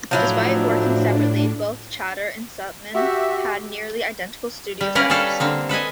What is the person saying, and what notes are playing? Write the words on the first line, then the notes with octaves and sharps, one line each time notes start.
Despite working separately, both Chater and Seltmann had nearly identical studio set-ups.
A2 F3 F#3 D4 E4
F#4 G4 E5
G3
A#3 C#4 A#4 B4 D5
G3 C#4 D4 A4 B4 F5
D3 A#3 C4
A4 B4 D#5 G#5